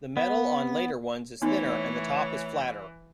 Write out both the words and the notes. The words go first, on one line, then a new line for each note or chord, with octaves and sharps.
The metal on later ones is thinner and the top is flatter.
B3
E3 A3 B3 D#4 C#5